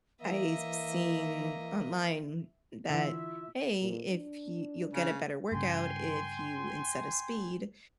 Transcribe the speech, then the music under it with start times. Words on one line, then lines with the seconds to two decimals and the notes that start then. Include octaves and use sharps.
I've seen online that, "Hey, if you you'll get a better workout, if you- instead of speed-
0.22 E3 A#3 D#5 E5
2.90 D3 E3 E4 F4 E5
3.82 A#2
4.11 D4
4.94 C#3
5.52 G2 C#3 G5 G#5 C6